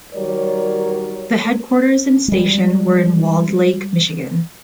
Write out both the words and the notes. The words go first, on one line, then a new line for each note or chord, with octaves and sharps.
The headquarters and station were in Walled Lake, Michigan.
D#3 F#3 G3 A#4 C#5 D5
G3 G#3